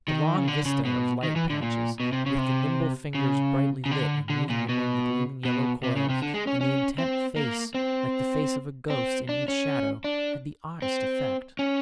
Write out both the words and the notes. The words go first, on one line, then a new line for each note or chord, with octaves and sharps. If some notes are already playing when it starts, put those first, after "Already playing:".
The long vista of light patches, with the nimble fingers brightly lit and moving among the gleaming yellow coils, and the intent face like the face of a ghost, in each shadow, had the oddest effect.
D#3
C#3
D3
C#3
B2
D#3
E3
D3
A#2
B2
C3
C#3
C3
C#3
C#3
D3
D3
A#2
B2
B2
C3
C#3
C3
D3
G#3
C#4
C#4
C4
A#3
C4
C4
D4
C#4
D4
C4
C#4